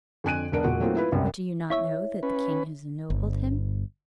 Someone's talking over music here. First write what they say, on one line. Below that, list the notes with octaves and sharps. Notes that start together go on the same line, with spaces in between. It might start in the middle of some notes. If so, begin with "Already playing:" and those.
But do you not know that the king has ennobled him?
F2 D3 G#5 F#6 D7 D#7
E1 B3 D4 A#4 D7
E1 A#2 F#4 F#5
F#3 A3 A#3 C4 D#4 F4
E4 F4 B4
C2 F#2 G3
E4 C#5 E5
C#4 B4
G1